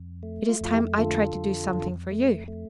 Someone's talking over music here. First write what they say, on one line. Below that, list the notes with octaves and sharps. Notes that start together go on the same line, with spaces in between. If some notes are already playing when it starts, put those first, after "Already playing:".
"It is time I tried to do something for you."
Already playing: F2
A3
F4
F2 F4
E4 G4
D3 F4 A4
F2
F2
A3
A3